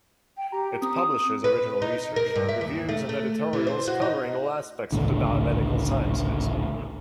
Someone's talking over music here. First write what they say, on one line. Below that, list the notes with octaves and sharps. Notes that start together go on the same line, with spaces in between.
It publishes original research, reviews, and editorials covering all aspects of the biomedical sciences.
G5
G4 A#5
C4 D#6
B4
D#4
A#4
G2
E5
D#2
A3
A3
E3
C5
F#4
D#4
G#1 C#2 A2 D3